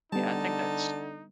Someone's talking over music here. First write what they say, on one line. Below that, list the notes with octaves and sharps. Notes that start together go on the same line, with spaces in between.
Yeah, I think that's
D3 G3 B3 D#4 A5